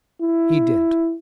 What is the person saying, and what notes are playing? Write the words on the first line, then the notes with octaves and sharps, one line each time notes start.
"He did."
E4